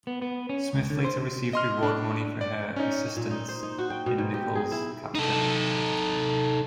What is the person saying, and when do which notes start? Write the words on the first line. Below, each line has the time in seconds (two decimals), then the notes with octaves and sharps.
Smith later received reward money for her assistance in Nichols's capture.
0.07 B3
0.22 B3
0.49 C#4
0.73 C#2
0.90 D3
1.04 C5
1.53 D#5 C6 F6
1.83 D4
2.41 D5
2.76 C#4 D#4
3.17 A#2
3.31 D#4
3.48 C5
3.63 D#4
3.78 F#4
3.90 G5
4.06 B2
4.18 G#2
4.34 G4
4.55 G#4
4.72 E4
5.15 D#4 A4